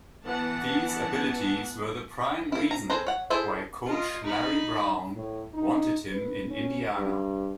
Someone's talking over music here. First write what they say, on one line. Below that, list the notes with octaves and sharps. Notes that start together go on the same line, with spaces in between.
These abilities were the prime reason why coach Larry Brown wanted him in Indiana.
E3 B3 F#5 A5
A#3 E4
A#5
G#4 A4 B4 C5 A#5
C#5 F#5
E4 G#4 A4 C5 E5
F4 D#5
D#4 B5
A2
D#4
B4
C#4
G2